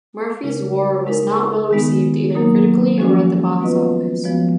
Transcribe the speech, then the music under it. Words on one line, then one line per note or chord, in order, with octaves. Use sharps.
"Murphy's War" was not well received either critically or at the box office.
C#3 G#3 D#4 A#4
G#3 D#4 A#4
D#3 G#3 B3 D#4
F#3 A#3 D#4 A#4
F3 G#3 C#4 F#4
G#3 B3 F4 B4 D#5
F3 G#3 B3 F#4 C#5